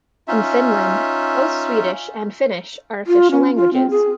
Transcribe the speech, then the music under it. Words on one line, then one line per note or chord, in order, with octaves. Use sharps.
In Finland, both Swedish and Finnish are official languages.
C#4 D#4 F4 E5
F4
C#4
F4
C4
G#4